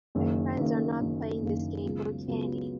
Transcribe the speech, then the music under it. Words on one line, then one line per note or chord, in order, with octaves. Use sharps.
My friends are not playing this game for candy.
F#1 F#2 D#3 A#3
F#1 F#2 D#3 A#3
F#1 F#2 D#3 A#3
F#1 F#2 D#3 A#3
C#2 C#3 F#3 B3 F4
C#2 C#3 F#3 B3 F4